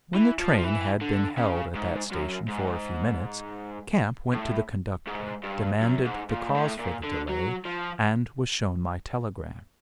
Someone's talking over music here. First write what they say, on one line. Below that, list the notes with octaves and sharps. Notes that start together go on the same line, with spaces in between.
When the train had been held at that station for a few minutes, Camp went to the conductor, demanded the cause for the delay, and was shown my telegram.
E3
F3
F3
E3
D3
C#3
G#2
F#2
G#2
A2
G#2
G2
F#2
G#2
A#2
G#2
A2
A#2
D3
F#3
F3